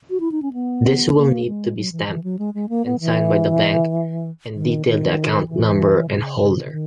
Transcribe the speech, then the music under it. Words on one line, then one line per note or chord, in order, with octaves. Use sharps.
This will need to be stamped and signed by the bank, and detail the account number and holder.
F#4
E4
D#4
C#4
B3
A#3
G#3
F#3
E3
E3
F#3
G#3
G#3
A#3
B3
E3
D#3
D#3
E3
C#3
C#3
D#3